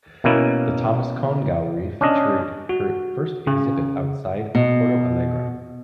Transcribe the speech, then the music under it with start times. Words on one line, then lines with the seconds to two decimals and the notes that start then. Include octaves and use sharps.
The Thomas Cohn gallery featured her first exhibit outside of Porto Alegre.
0.24 B2 A#3 C#4 E4
2.01 C#4 D4 D#5
2.69 F#4
3.47 C#3
4.55 B2